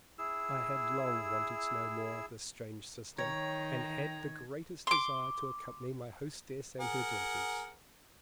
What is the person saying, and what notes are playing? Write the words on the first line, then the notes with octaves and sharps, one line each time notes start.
I had long wanted to know more of this strange system, and had the greatest desire to accompany my hostess and her daughters.
E4 G#4 E6
D#3 C#5 G5 A#5 G#6
C6 D6
G#4 A#4 F#5